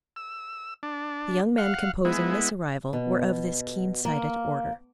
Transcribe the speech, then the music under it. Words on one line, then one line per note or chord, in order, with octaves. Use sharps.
The young men composing this arrival were of this keen-sighted order.
E6
D4
F5 F#5
G#3 B3 E4
B2
A#3